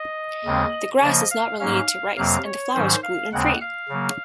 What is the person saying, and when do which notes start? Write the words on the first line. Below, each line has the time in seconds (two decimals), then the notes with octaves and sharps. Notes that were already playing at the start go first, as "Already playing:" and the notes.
The grass is not related to rice, and the flour is gluten-free.
Already playing: D#5
0.45 D#2 C#3 G#3 C4
1.01 C#3 F3 A#3 D#5
1.31 F5
1.59 G#2 F#3 A#3 C#4 F5
2.16 F2 C3 F#3 A#3 F5
2.45 C#5
2.74 G#2 D#3 F#3 C#4 C5
3.03 F5
3.33 D#2 C#3 G#3 C4 F#5
3.61 F5
3.89 C#3 F#3 A#3